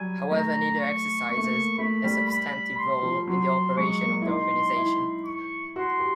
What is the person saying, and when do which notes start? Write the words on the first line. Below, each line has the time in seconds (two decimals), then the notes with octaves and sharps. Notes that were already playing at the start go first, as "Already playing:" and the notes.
However neither exercises a substantive role in the operation of the organization.
Already playing: F#3 G3 G#5
0.30 A3 A#5
0.80 C#6
1.29 A#3 C#6
1.37 A3
1.44 A#3
1.78 A3 B5
2.04 G3
2.29 B5
2.78 C6
3.03 F3
3.27 F#3 C6
3.77 G#3 C#6
4.01 A#3
4.22 E4
4.26 D#4 C6
4.76 E4
5.26 C#6
5.75 F#4 C6
6.00 G4